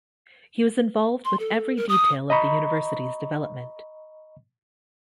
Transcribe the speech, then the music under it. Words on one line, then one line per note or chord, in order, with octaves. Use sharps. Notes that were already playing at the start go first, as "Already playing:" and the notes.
He was involved with every detail of the university's development.
C6
A4
A#4
D#6
D#5 A#5 B5 C#6